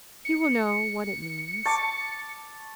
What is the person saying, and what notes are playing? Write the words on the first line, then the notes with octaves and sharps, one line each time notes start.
He will know what it means.
C#7
A5 C#6 D6